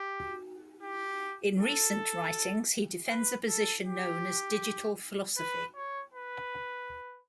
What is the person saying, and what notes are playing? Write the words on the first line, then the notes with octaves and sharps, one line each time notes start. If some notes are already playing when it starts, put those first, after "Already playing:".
In recent writings, he defends a position known as digital philosophy.
Already playing: G4
G4
A4
B4
A4
G4
B4
C#5
B4